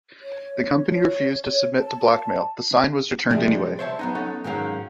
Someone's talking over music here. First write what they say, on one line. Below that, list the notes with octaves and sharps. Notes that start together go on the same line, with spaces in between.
The company refused to submit to blackmail; the sign was returned anyway.
C#5
C#5
C#5
A5
C3 F3 G3 G#3
C5 C#5 E5 F#5 A5
F#3 B3 D#4
B3 C#4 D#4 A4 C#5
G#2 D#3 F#3 A#3 C#4